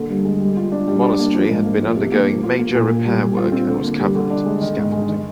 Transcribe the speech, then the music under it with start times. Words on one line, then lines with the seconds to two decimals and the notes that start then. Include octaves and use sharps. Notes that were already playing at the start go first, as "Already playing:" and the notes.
The monastery had been undergoing major repair work and was covered in scaffolding.
Already playing: D3 A#3
0.09 G2
0.25 G#3
0.40 G3
0.57 F4
0.72 D4
0.88 G3
1.03 D4
1.19 A#3
1.35 F3
1.49 G#2
1.66 A#3
1.81 F3
1.96 C3
2.12 A#3
2.27 F3
2.43 F4
2.59 A#3
2.75 A#2
2.90 A#3
3.05 G3
3.21 G3
3.37 F4
3.52 C4
3.67 D3
3.84 A#3
3.99 G3
4.15 D3
4.30 D4
4.45 G#3
4.61 D#3
4.77 G#2
4.92 G#3
5.09 D#3